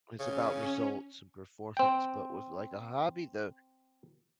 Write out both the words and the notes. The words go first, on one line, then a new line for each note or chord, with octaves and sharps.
it's about results and performance, but with, like, a hobby, though,
C#3 C#4
C4 G5